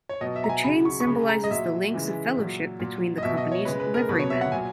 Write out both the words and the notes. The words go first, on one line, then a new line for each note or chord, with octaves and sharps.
The chain symbolises the links of fellowship between the Company's liverymen.
C#5
B2 F#3 D#5
E5
A#5
G#5
C#3 F#3 B5
C#6
C#6
C#3 G#3 B5
A#5
D#5
A#2 F#3 E5
C#3 E3 G#3
A#2 F#3
A#2 F#3
D#5
B2 F#3 E5
D#5
C#5
C#3 G#3 B4
B4
A#4
B2 F#3 B4
C#5
E5
F#5
A#2 F#3 G#5